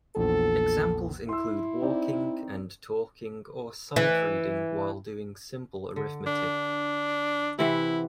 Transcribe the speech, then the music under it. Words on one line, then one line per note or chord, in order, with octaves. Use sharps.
Examples include walking and talking or sight reading while doing simple arithmetic.
A#1 E2 A4
E4 C6 E6
C4 D#4 D5
E3
D3
D4
C3 E3 E4 F#5